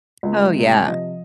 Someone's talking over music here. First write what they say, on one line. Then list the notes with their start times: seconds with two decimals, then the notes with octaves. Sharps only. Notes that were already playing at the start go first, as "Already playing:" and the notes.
Oh, yeah.
0.23 C#2
0.55 C3
0.87 F3 D#5